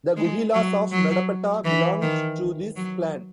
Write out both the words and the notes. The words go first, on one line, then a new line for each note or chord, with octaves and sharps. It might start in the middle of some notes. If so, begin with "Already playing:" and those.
The Guhilas of Medapata belonged to this clan.
G#3
F#3
F#3
E3
D#3
F#3